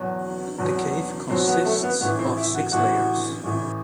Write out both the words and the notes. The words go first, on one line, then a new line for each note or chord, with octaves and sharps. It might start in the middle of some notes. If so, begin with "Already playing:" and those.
The cave consists of six layers.
Already playing: E2 B2 F#3
E2 B2 F#3
E2 B2 F#3 C4
B3
A3
B3
A1 A2 E3 B3
C4
E4
F#4
A1 A2 E3 F#4
A1 A2 E3